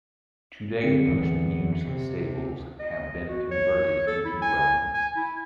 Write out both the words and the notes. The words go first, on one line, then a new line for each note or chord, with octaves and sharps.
Today most mews stables have been converted into dwellings.
D3 C4 C#7
E2 E3
C3
D#5
F#4
C#5
A4
E4
G#5
G#5
E4